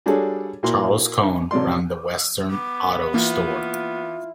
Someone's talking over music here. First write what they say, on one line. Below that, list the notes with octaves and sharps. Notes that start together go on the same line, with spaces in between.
Charles Cone ran the Western Auto Store.
G3 D4 F#4 G#4 A4 C#5
A#2 A#3 E4 F#4 C6
A1 C3 F#3 D5 C6
B3 D6
E3 A#3 F4